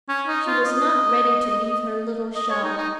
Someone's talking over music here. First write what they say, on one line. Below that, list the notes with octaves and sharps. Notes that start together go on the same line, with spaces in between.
She was not ready to leave her little shell.
C#4
D#4
F4
D#5
D#5
C#5
D#4
D#4